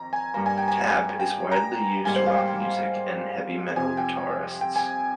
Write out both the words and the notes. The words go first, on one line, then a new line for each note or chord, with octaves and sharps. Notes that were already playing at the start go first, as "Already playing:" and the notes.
"Tab" is widely used rock music and heavy metal guitarists.
Already playing: F2 D#3 A#5
G#5
G2 G3 A#3 A#5
G#5
G5
G#5
G5
A#5
G#2 G3 A#3 G#5
C5
F5
G5
G5
F2 C3 F3 G#5
G5
G5
G#5